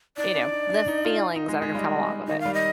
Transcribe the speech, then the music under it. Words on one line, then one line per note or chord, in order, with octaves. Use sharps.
you know, the feelings that are gonna come along with it.
D#4 D5
D4
D#4
D4
D#4
F4
F4
D#4
G#3
G#3
G3 D#5 F5
D#3 D#5
F5
G3
D#5